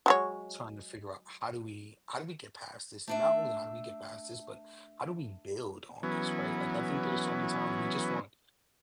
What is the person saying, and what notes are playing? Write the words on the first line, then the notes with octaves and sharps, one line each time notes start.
trying to figure out how do we how do we get past this? And not only how do we get past this, but how do we build on this, right? Like, I think there's so many times we just want
F#3 G#3 C#5
A3 D4 E5
E3 F#3 B3 C#4